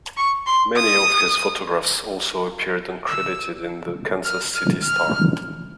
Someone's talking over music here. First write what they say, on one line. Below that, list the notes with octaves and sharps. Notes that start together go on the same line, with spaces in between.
Many of his photographs also appeared uncredited in "The Kansas City Star".
C#6
C6
D#6
E6
F6
F6
F6